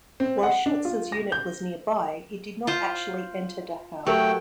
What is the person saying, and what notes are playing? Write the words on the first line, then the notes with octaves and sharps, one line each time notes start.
While Schulz's unit was nearby, it did not actually enter Dachau.
C4
F#5
D4
F4
A#6
G6
F4 C5
F#3 A3 G4 A#4 G5